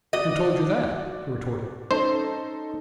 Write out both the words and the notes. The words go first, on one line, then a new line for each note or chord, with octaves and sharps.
"Who told you that?" he retorted.
F#4 D5 D#5
C#4 D#4 A4 C5